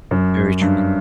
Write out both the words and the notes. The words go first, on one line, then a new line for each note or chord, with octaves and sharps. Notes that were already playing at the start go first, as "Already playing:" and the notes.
Very true.
F#2
G2